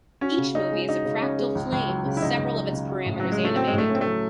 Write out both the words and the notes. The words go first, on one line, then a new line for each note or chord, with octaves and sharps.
Each movie is a fractal flame with several of its parameters animated.
C#4 F#4
C#3
C#4 D#4
G#3
D#4 F#4
C#3
C#4
G#3
C#2
C#2
F#3
C#3
E4
C#2 D#4
C#2
F#3
C#3
F#4
A2
F#3 C#4
G#3
F#3
A3
C4 F#4
G#3
A2
A3
C#4
C4
A3
F#3